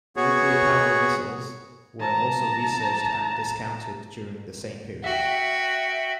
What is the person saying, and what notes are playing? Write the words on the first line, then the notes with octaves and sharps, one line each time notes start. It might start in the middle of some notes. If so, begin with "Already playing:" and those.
Nuclear-powered missiles were also researched and discounted during the same period.
B3 F#4 G#4 C#5
A5 A#5
F#4 E5 G5